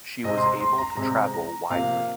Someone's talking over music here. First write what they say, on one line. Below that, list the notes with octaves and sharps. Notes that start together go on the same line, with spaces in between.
She was able to travel widely.
C3 G#3 C4 D#5
C6
A#5
C6
A#5
C3 G#3 C4 A#5
A#5
C3 F3 A#3 F5